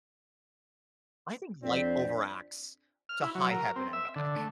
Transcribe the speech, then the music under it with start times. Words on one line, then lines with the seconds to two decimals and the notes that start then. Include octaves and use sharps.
I think Light overacts to high heaven and back.
1.63 F2 C4 D4 C5 D5 E5
3.09 F6
3.22 E4
3.35 F#3
3.51 A#4
3.76 C4
3.93 E5
4.16 D3
4.36 A3